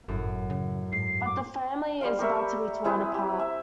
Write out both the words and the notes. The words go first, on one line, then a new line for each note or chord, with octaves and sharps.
But the family is about to be torn apart.
G1 F#2 A2
C#3
G#2 C7
D6
G3 C5 F5
G4 A#4 C#5 E5
C4 E4 G#4 B4
G4
E5